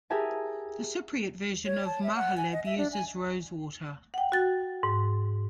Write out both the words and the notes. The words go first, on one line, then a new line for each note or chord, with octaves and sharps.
The Cypriot version of mahaleb uses rosewater.
G4 G#4 A#4 E5 G#5 A5
C#5
A5
E5
F#5
G#5
D#5
E5
D4
G#5
F#5 G5
F#4 A6
G#2